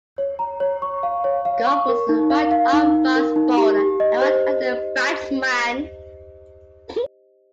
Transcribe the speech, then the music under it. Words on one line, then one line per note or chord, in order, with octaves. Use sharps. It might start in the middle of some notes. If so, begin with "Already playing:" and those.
Gough was a right arm fast bowler and right-handed batsman.
C#5
A#5
C#5
C#6
F5
C#5
F5
C#6
A#4
D#4
F5
F5
D#4
D#4
A#4
D#4
G4
G4
D#5
C5